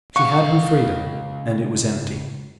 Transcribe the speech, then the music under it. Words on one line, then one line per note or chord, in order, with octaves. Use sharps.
She had her freedom, and it was empty.
C#2 F5 C#6